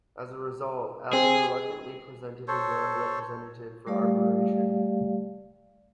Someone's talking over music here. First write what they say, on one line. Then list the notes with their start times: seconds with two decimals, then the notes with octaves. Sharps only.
As a result, Ali reluctantly presented his own representative for arbitration.
1.13 C4 G#4
2.48 A4 C5 C#5
3.87 G3 A3 G4 D5 F5